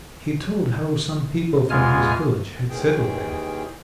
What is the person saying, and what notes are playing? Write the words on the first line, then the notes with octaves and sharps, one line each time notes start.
He told how some people from his village had settled there.
E2 G#3 F4 G#5 F6
D#2 D#3 E3 G#4 G5